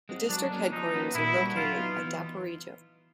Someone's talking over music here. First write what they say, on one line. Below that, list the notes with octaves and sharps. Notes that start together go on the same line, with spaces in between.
The district headquarters are located at Daporijo.
G#3 C4
F#3 D4
A#3 C#4
F3 D#4
A#3 C#4 F#4 B4
A#2 E4
G3 A#3 D4 F#4
F#3 F4
B3 D#4
E3